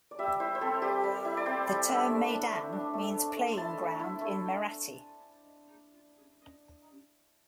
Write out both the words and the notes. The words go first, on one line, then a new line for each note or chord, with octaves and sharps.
The term maidan means "playing ground" in Marathi.
D5
G3 E5
E4 C5
C5
C4 A4
G3 G4
G3
E4
D5
C4 C5
G3
D4 E5
A3
D4
A3
D4
A3
D4
A3
C6
E4 A5
A3
E4
A3